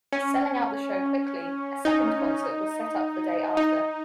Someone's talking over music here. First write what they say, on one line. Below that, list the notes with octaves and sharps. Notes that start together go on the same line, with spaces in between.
Selling out the show quickly, a second concert was set up the day after.
C#4
D#4
D#4